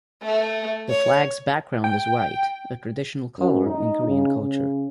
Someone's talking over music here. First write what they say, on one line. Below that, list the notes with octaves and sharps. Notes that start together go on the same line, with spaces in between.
The flag's background is white, a traditional color in Korean culture.
A3
C#5
G5
F#2
D#4
C#3
C#3